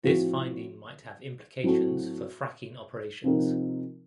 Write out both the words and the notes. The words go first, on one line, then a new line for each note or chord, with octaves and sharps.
This finding might have implications for fracking operations.
A2 F3 C4 F#4
A2 F#3 C4 F#4 A4
C3 F3 C4 D#4 A#4